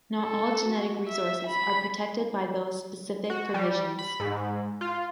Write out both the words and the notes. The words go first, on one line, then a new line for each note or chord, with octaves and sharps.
Not all genetic resources are protected by those specific provisions.
A4
F#4
E5
B5
F#4
G3
B5
G#2
F4